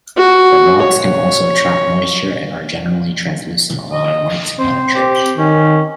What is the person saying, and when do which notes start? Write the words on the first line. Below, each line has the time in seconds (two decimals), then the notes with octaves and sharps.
The rocks can also trap moisture and are generally translucent allowing light to penetrate.
0.17 F#4
0.84 C#5
3.92 D#5
4.60 C4 C5
4.95 G4
5.38 D#3 C#4